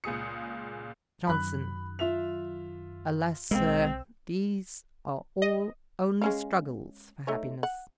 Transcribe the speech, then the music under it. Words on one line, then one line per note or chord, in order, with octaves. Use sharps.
JOHNSON. 'Alas, Sir, these are all only struggles for happiness.
C#2 A#2 G#4 D#6 C#7
F#2 D#3 F#3 B5 F#6
F4 E5 F7
B1 G#3 C4 E6
D#5
G#3 C#4 F5
A3 D#4 C#5
F#5